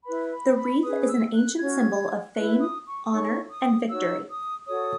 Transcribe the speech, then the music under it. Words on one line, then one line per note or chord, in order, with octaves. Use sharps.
The wreath is an ancient symbol of fame, honor, and victory.
E4 B4 B5
B5
B5
C#4 G#4 B4 D#6
E6
F#6
C#4 F#4 C#5 G#6
E4 B4 F#6
D#6
C#6
D#6
D#4 A4 C#5 C#6
D#6
D#4 F#4 C#5 E6
D#6
F#4 A4 C#5 D#6